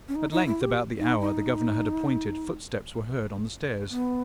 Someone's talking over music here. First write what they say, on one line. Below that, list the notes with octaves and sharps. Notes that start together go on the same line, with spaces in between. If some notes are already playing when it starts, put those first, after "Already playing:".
At length, about the hour the governor had appointed, footsteps were heard on the stairs.
C#4
D#4
D#4
E4
G4
D#4
D#4
B3